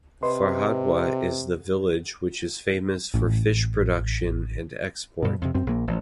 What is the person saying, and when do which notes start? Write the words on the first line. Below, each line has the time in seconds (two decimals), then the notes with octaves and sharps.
Farhadwa is the village which is famous for fish production and export.
0.23 C3 B4 D#5 C6
3.14 A1
5.23 G2 B2
5.42 F2 C3
5.55 F#2 C4
5.67 A#1 A#3
5.87 A1 F3